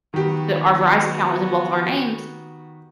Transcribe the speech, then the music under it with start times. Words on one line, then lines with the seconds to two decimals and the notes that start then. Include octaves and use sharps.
like, th our Verizon account was in both of our names
0.14 D#3 B3 F#4 G4